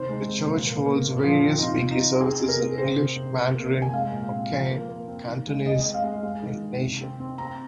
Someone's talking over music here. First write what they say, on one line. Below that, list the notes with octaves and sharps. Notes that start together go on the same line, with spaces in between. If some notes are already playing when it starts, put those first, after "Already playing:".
The church holds various weekly services in English, Mandarin, Hokkien, Cantonese, and Indonesian.
Already playing: C3 D#3 C5
G#3
C3
A#2
A#3
A#3
A#2
F3
C4
D#4
C3 F4
C3
D#4
C3
C4 G#4
C3
A#4
C3
C4 C5
C3
C3
C3
A#3
C3
G#5
G#3 F5
A#2
C4
F3
A#3
A#3
C4
D#3
G#3
G#3 D#5
C4 D#5
F5
G#3
G#3
D#3
D#3
C3
C4
C4
C4 A#5